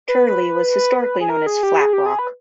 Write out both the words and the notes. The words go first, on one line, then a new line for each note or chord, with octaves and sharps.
Turley was historically known as Flat Rock.
B4
G#4
A#4
G#4
G4
G#4
G4
G#4
B4